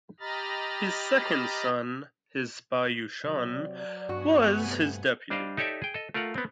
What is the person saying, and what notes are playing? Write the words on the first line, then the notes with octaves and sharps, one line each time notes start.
His second son, Hsinbyushin was his deputy.
G4 D#5 A#5 B5 F6 A6
C3 F#3 D5
G2 B3 F#4 F#5 G#5
C3 A3
G3 D4 C5 D5 D#5 F5
D#4 G4 A4 C#5 D5 E5
G#4 G5
A4 D#5
A3 F4 A#4 F5 F#5
B3 C4